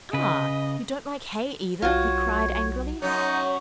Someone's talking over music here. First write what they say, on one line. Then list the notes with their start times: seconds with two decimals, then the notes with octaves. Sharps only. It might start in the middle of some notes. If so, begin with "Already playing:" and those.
"Ah, you don't like hay either?" he cried angrily.
0.13 C#3 B4 D#5
1.82 B1 F4 F#4 C#5
3.02 F#2 F#3 C#4 D#4